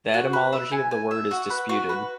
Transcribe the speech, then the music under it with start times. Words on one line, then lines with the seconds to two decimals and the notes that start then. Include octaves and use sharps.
The etymology of the word is disputed.
0.14 F#4
0.33 B4
0.53 E5
0.72 G#5
0.91 G#5
1.11 E5
1.31 F#4
1.50 B4
1.69 F#4
1.89 B4